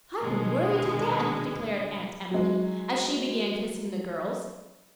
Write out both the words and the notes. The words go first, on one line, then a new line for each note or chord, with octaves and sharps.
"I've been worried to death," declared Aunt Emily, as she began kissing the girls.
B2 D3 D#3 G#3
F#3 G#3